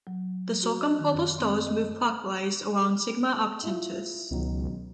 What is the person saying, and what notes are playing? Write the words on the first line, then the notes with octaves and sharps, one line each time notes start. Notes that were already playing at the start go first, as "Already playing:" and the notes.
The circumpolar stars move clockwise around Sigma Octantis.
F#3
F#4
D#5
D#3
F#2
C4
D#5
E4 F4 E5
C#2 B2 D#3 F#3